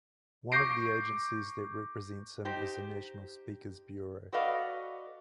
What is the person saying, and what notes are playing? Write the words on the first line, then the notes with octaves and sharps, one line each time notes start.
One of the agencies that represents him is the National Speakers Bureau.
C#6 D6 G6 A#6 C7 D7
D#4 G4 C5
F#4 A4 B4 D5 D#5 F5